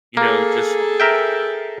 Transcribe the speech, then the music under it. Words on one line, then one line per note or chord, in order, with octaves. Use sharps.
you know, just
A#3 G#4 A4
A#4 E5 G5